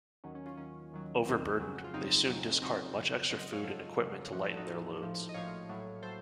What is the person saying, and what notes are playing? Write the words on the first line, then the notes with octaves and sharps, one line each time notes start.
Overburdened, they soon discard much extra food and equipment to lighten their loads.
D#2 D#3 F#3 C#4
C#4
C#4 F4
D#2 D#3 F#3 C#4
D#2 D#3 F#3
D#2 D#3 F#3 C4
F2 C#3 F#3
F4
F2 C#3 F#3 C4 D#4
F2 C#3 F#3
F2 C#3 F#3 C4 D#4
F2 C#3 F#3
F2 C#3 F#3 C5 D#5
D#5 F#5
C#5 F5
F2 C#3 F#3 F4 A4
F2 C#3 F#3
A#1 A2 F3 F#4
A4
D#4 F#4
A#1 A2 F3
A#1 A2 F3
D#5
A#1 A2 F3 C#5 F5
A#1 A2 F#3
A2 F#3 A4 C5